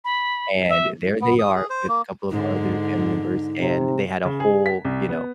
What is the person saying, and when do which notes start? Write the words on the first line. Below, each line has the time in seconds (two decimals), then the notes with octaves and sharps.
and there they are with a couple of our other family members, and they had a whole, you know,
0.05 B5
0.69 E5
1.22 B3
1.39 D#6
1.55 G#4
1.70 C5
1.88 A#3
2.30 G#2 D3 D#4
3.59 C3
4.25 C#3
4.40 G#4
4.66 B6
4.85 C2
5.09 B3